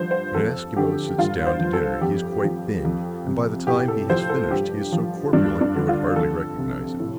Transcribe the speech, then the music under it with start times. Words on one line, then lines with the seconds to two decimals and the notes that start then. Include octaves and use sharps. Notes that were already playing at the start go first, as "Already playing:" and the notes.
When an Esquimaux sits down to dinner he is quite thin, and by the time he has finished, he is so corpulent you would hardly recognize him.
Already playing: G2 F3 C5
0.11 C5
0.35 F2 A4
0.76 D3 G4
1.18 G2 F4
1.46 C5
1.59 F3
1.73 A4
2.01 F2 G4
2.43 F3
2.85 F2
3.26 C3
3.67 A2 G4
3.79 G4
3.88 A4
4.09 F3 C5
4.29 A4
4.51 G2 G4
4.92 F3
5.33 G2 D4
5.61 D4
5.76 D3
5.89 F4
6.16 F2 A4
6.58 C3
7.00 A2